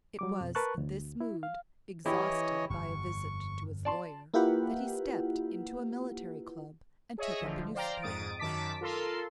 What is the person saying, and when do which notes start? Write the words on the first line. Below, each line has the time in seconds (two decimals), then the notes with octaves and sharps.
It was in this mood, exhausted by a visit to his lawyer, that he stepped into a military club and took up a newspaper.
0.19 F#3 G3 D6
0.41 F2 B2
0.55 A#4 B4 A5 C#6 F#6
0.78 D2
1.20 E4
1.43 F5
2.06 E3 E4 G4 C#5 D#5
2.70 G1 F2 C#6
3.85 D5 A5 C6
4.34 A#3 E4 F4 G4 B4 F#5
7.18 G#4 C#5 D#5 E5
7.41 A1 D3 F3
7.75 C5 D5 F5 G5 A#5
8.02 F2 G#2 D#6 A6 D7
8.39 F#2 D#3 A5 D6 B6
8.81 F4 A4 A#4 C6